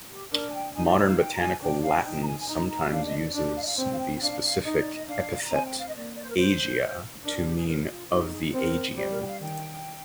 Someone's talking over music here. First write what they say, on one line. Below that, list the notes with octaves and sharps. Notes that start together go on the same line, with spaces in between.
Modern botanical Latin sometimes uses the specific epithet "aegea" to mean "of the Aegean".
G4
D4 A#4
G#5
G5
D#4 G#5
D5
C5
F5
G5
A#5
G#5
D4 G5
F5
D#4 G5
A#5
G#5
G#5
D#4 A#5
A#5
D4 F5
D#5
D5
D4 D5
G4
F5
D#5
F5
C4 G5
F5
G5
G5
D4 F5
F5
D#4 D#5
D5
D#5
D4 F5
A#5
C4 G#5
G5
F5
D#5
A#3 D5
D5
C5
A#4
C5
D4 A#4
G4
G4
G#4
A#4
F4
D#4 G4
G#4
G#4
C4 A#4
G3 C5
A#4
G5
F5
D#3 G5